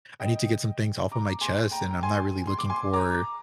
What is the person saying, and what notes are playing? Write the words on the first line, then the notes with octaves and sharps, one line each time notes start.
I need to get some things off of my chest, and I'm not really looking for
D#5 G5
A#5 D6
G#5 C6
G5 A#5
G#5 C6
C6
D6
G#5 C6
A#5 D6